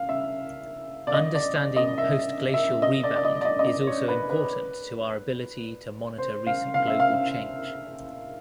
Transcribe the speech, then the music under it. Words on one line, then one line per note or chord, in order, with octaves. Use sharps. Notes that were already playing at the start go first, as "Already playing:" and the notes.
Understanding postglacial rebound is also important to our ability to monitor recent global change.
Already playing: F5
E5
D5
D#5
D5
D5
D#5
E5
E5
D#5
D5
D5
D#5
D5
D#5
D#5
D5
C#5
B4
B4
C5
F5
F5
E5
F5